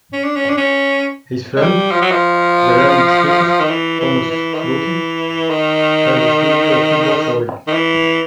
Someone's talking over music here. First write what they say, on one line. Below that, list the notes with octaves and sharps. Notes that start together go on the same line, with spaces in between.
His friend, the landscapist Thomas Doughty had his studio a few blocks away.
C#4
D4
C#4
D4
C#4
G#3
G3
F3
F#3
F3
D#3
E3
E3
E3
D#3
E3
D#3
D#3
E3